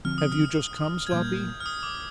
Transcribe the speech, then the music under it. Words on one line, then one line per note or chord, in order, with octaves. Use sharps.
'Have you just come, Sloppy?'
D3 F3 C4 F6
D#6
F6
G#6
A#2 G3 A#3 G6
F6
D#6
D6